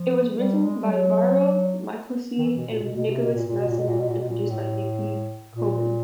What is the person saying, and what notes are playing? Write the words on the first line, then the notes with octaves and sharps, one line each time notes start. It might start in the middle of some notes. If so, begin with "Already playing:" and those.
It was written by Viorel Mihalcea and Nicolas Masson and produced by Niki Coman.
Already playing: F3
G3
G#3
G3
F#3
D#3
E3
B2
A#2
B2
B2
C3
B2
A#2
A#2
B2
A#2
B2
A#2
B2
A#2
B2
A#2
A2
A#2